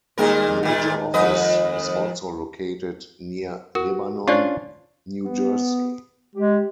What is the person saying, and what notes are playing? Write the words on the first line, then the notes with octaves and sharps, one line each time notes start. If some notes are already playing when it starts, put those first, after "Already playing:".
A major office is also located near Lebanon, New Jersey.
D#2 A#2 G3 G#3 D#4 A#4
A#2 D#3
F2 B4 D#5
F#4 A#4
C#4 D4 F4 C5 D5 C#6
B3
G#3 G4